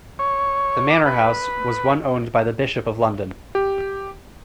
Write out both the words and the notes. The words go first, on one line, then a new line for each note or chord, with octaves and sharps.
The manor house was one owned by the Bishop of London.
C#5
D6
B4
G4